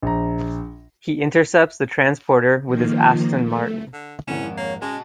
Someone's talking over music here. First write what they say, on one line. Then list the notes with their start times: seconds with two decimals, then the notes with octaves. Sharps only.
He intercepts the transporter with his Aston Martin.
0.02 A#1 A#5
2.66 D#3 F3 A#3
3.42 A3
3.93 D3
4.28 G#1 D2 C3 B3 C#4 E4 F#5 E7
4.42 F2 G#3
4.57 A#3 C#5
4.82 G#3 C#4 F#4 D#5 A5